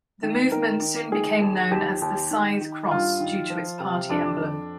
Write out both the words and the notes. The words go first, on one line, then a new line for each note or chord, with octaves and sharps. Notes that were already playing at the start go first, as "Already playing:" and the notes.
The movement soon became known as the Scythe Cross due to its party emblem.
D#3
D#3 A#4
D#3
D#3 G#4
D#2
D#2 G4
D#2
D#3
D#3
G2 F4
D#3
F3
C3
F2 D4
F2